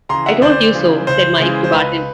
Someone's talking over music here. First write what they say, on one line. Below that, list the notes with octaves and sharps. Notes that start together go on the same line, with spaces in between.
"I told you so," said Mike to Barton.
C#3 E3 A#5 C6
E5 F#5
D2 C5 D5
C#3 E3
C#2 C5
C#3 E3 G#3
C5
C#2 B4